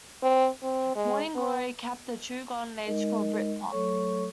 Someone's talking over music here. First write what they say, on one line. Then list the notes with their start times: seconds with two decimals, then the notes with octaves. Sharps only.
"Morning Glory" capped a true golden age for Britpop.
0.23 C4
0.63 C4
0.96 G#3
1.35 B3
2.86 G#3 D#4 A#4 D#5
3.71 F#3 A3 A4 C#5 C#6